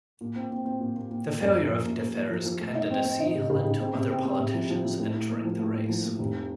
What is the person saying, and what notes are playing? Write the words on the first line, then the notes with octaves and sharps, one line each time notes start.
The failure of Defferre's candidacy led to other politicians entering the race.
A#2
C4
C4
C4
A#2
A#2
A#2
A#2
F#2
A#3
F3
A#3
A#3
A#3
F3
F3
A3
D#4
C4
C4
D#4
C#3
C#3
C#3
C4
C3
C4
C4
C3
F3
F3
F3
A2
A2
A#3
F3
A2
A2
F3
A#3
F1